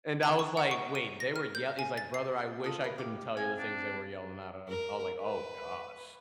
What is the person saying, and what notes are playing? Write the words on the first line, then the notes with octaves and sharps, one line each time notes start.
And I was like, "Wait, they were yell" he's like, "Brother, I wish I couldn't tell you the things they were yelling at him." I was like, "Oh gosh."
A#5
C#6
F#5
C#6
D#7
A#6
F6
G6
G#5
A6
C7
F4 A4 D#6
A#4 B4
G4 F5 D6
C4 F5 G#5
D4
A#4
B4